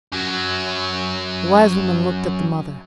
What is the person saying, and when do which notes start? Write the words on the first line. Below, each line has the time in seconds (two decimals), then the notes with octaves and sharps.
The wise woman looked at the mother.
0.12 F#2 F#3